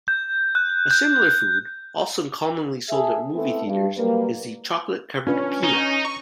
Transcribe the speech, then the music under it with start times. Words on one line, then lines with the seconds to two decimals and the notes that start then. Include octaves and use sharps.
A similar food, also commonly sold at movie theaters, is the chocolate-covered peanut.
0.08 G6
0.55 F#6
0.91 G6
2.89 G#4 A4 E5
3.34 A3 B3 C4 E4 A4
3.66 G2
3.97 F#3 G3 A#3 B4
5.27 C#4 D4 F4 B4
5.64 D#4
6.05 C#6